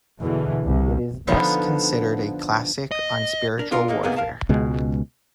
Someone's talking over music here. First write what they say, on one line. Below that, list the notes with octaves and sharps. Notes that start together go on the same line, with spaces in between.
It is thus considered a classic on spiritual warfare.
E2 B2 D3 E3
C2
D3 F3 B3 D#4
D#5
D4 A#4
B3 D4 F4 A4 A#4
G#3 A#3 D#4
G#2 C3 A#3 B3 G#4 A#4
A#4 F5 A5
C#2 B2 G#3